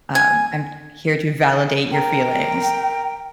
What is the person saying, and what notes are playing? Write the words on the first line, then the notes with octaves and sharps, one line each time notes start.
um, I'm here to validate your feelings.
G#5
A#4 G5